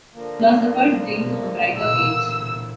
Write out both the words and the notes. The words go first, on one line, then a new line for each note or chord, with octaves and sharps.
Philosophers dreamed of a brighter age.
D3 F3 A#3
E1 D2 A#2 E6